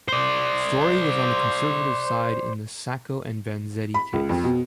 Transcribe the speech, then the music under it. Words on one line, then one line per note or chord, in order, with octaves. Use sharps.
Storey was on the conservative side in the Sacco and Vanzetti case.
C5 D5
B5
C#2
F2
B2